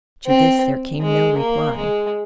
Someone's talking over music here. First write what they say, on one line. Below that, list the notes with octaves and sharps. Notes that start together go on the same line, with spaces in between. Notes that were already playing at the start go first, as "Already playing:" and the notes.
To this there came no reply.
C4
G#3
A#3
G#3